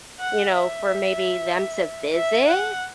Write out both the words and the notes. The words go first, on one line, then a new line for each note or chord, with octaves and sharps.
you know, for maybe them to visit.
F#5
E5
E5
F#5